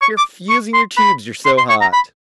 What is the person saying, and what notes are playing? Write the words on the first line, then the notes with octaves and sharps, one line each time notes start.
"You're fusing your tubes you're so hot."
C#6
D6
C#6
C6
B5
C6
C6
C#6
A#5
B5